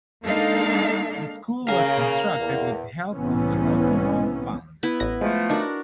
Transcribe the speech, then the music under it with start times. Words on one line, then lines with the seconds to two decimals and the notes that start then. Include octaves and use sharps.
This school was constructed with help of the Rosenwald Fund.
0.25 G#3 A#3 D4 D#4 A4 F5
1.68 C#3 A#4 F5
2.37 E2
3.13 C2 A2 C3 E3 B3 C#4
4.83 B3 E4
5.00 A1 A#6
5.21 F3 G#3 A3
5.50 D4 D#4 F#4 A#4